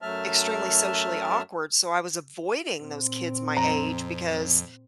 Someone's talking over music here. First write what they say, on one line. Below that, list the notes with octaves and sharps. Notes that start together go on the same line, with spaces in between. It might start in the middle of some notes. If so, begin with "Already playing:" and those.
extremely socially awkward, so I was avoiding those kids my age because
F#2 F#3 A3 E5 A5 F6
A#2 C4
F2 A#5